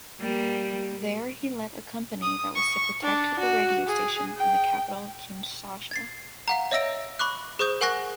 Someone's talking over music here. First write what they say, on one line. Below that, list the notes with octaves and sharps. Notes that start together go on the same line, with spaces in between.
There he led a company that was to protect the radio station in the capital Kinshasa.
G3 A#3
D#6
C#6
D4
F#4
G#4
G5
G#6 A6 C7
F5 F#5 A#5
C#5 D#5 E5 E6 A#6 D7
B5 C#6 D6 F#6
G#4 C5 C#6 D#6 G6
A#4 F#5 G#5 C#6 F#6 A#6